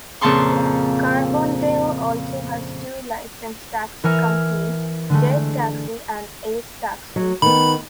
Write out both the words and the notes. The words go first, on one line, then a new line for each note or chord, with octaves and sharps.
Carbondale also has two licensed taxi companies, Jet Taxi and Ace Taxi.
F2 A#2 C#3 A5 C6 C#6
E3 A#4 E5 G#5 F6 C#7
D3 G#3 A3
F#3
D#3 B3 B5